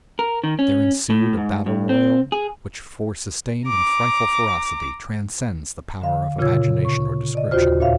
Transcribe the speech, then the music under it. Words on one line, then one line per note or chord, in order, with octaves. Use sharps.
There ensued a battle royal which for sustained and frightful ferocity transcends the power of imagination or description.
A#4
D#3
C#4
A2
G#2
G2
C4
G#4
A#5 D6
D3 F5
A#2 C#3 F4 C#5 E6 G#6
C#6
D5 D#5
D#2 F4 F#4 C5 F6
D2 A#2 C#5 E5 F5